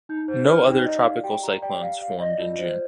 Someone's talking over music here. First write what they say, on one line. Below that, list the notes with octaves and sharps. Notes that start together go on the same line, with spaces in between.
No other tropical cyclones formed in June.
D#4 G6
C5 G6
G4 F6
D#4 G5
D5 D#5
D5 F5
G4 G5
G4 A#5
D5 G5
D5 F5
D5 F5
D5 D#5
F4
C5